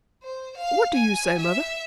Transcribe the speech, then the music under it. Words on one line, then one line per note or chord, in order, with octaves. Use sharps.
"What do you say, mother?"
C5
F5
G#5
E5